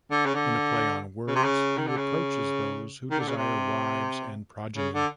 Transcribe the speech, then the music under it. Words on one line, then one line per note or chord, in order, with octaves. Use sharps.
In a play on words, he reproaches those who desire wives and progeny.
D3
C#3
D3
C#3
C3
C#3
D#3
D3
C#3
D#3
D3
C#3
C3
C#3
D3